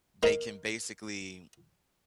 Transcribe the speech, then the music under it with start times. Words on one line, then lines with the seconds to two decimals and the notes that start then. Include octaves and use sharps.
they can basically,
0.23 A#3 D#4 A#4